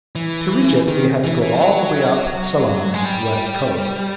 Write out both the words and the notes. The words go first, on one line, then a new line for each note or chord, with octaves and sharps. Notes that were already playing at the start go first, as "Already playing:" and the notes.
To reach it we had to go all the way up Ceylon's west coast.
E3
D#3
E3
E3
F3
F#3
G#3
G3